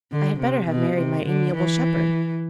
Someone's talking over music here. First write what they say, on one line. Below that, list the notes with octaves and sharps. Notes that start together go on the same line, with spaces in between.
I had better have married my amiable shepherd.
D3
C3
B2
C3
D3
E3